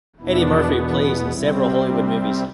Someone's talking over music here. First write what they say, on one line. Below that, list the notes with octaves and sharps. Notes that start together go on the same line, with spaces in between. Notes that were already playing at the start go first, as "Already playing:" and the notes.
Eddy Murphy plays in several Hollywood movies.
E2 B2 B3 D4 E4
D4
C3 G3 C4 E4
D4